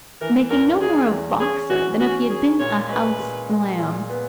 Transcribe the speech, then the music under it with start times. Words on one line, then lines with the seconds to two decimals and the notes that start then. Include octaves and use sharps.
Making no more of Boxer than if he had been a house lamb!
0.21 E3 A#4
0.50 E2 A#4
0.80 E3 G#4
1.11 E2
1.40 C#4 G#4
1.70 E3 F#4
2.00 C#4 F#4
2.30 C#4 G#4
2.60 A#2 C#5
2.89 G#3 B4
3.19 A#2
3.50 G#3
3.79 A#2
4.10 B3